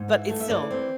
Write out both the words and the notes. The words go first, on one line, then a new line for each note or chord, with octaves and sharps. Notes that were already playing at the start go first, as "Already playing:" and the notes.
but it's still
Already playing: G#2
E3
A3
E5
E3 D5
C4